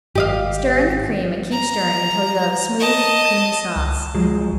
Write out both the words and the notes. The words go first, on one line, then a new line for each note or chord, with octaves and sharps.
Stir in the cream and keep stirring until you have a smooth, creamy sauce.
G#1 G4 D#5 F5
A#5
D#5 A5
C#2
F3 F#3 G#3